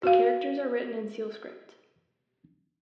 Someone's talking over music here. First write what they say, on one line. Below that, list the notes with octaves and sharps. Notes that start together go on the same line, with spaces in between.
The characters are written in seal script.
F#4 F5